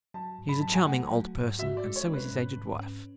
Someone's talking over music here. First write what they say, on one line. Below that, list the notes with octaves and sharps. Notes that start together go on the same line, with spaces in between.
He is a charming old person, and so is his aged wife.
F#3 A5
G#2
B5
F#3 A5
G#5
A3 F#5
F#3
G#2
F#4 E5
D5
G#3
C#5
C#4
B4
G#2
G#2
C#4